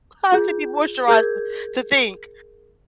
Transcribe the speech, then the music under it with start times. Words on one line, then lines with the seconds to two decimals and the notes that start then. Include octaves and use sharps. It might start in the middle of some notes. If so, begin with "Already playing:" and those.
I have to be moisturized, to to think.
0.32 F4 G#4 G6
1.08 G#4 A#4 G6 G#6